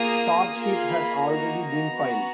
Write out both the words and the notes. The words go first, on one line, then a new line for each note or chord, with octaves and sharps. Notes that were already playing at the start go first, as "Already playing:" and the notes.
Charge sheet has already been filed.
Already playing: A#3 F4 G#4 D#6
A#3 F4 G#4
B5
A#3 D#4 F#4 A#5
B3 F#4